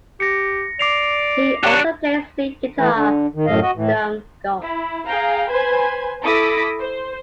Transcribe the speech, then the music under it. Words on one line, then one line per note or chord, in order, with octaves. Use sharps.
He also plays lead guitar for Stone Gods.
G4 A#6 C#7
D5 D6 C7 F7
D4 G4 C#5 F#6
E3 A3 B4
D3
D#3
F#2 A2 D#5 F5
F#4 D#5
A2 E3
E4
G#4 F5 G5 A#5
B4 C5 G#5 G#6
E4 A4 D6 D#6 A#6 B6
C5